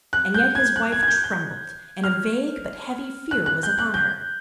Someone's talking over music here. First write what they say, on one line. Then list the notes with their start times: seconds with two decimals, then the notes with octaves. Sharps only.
And yet his wife trembled, and a vague but heavy fear was upon her.
0.13 F#6
0.34 G6
0.55 G#6
0.76 F#6
0.92 G#6
1.03 G#6
1.08 G6
1.24 G6
2.04 F6
3.31 F#6
3.46 F#6
3.63 G6
3.79 F#6
3.94 G6